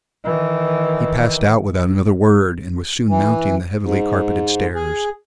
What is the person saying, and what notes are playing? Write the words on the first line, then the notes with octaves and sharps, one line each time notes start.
He passed out without another word, and was soon mounting the heavily-carpeted stairs.
D#3 E3
E3
G#2
G#4